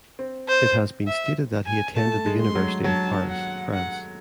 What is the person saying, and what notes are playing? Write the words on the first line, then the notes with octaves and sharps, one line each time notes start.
It has been stated that he attended the university of Paris, France.
C4
C5
E5
G#5
A3 A5
G#3
C6
F#3
F#3 A5
F#5
F#5